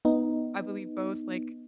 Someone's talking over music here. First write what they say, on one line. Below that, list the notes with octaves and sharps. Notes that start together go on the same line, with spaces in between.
I believe both, like,
B3 D#4